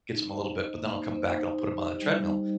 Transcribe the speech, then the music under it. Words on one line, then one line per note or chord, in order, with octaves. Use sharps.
Gets them a little bit but then I'll come back and I'll put 'em on a treadmill,
D#4
C5
D#5
A#3
D#4
C5
D#4
G4
D#5
G3
D#4